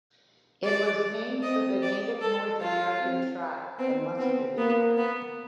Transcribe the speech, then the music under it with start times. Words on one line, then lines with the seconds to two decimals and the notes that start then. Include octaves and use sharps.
It was named for the native north American tribe, the Muskogee.
0.64 G#3 D5
1.43 C4 D#5
1.82 D5
2.21 A4
2.61 F4
3.01 C4
3.79 B3 C4
4.18 B3 C4
4.58 A#3 B3
4.97 B3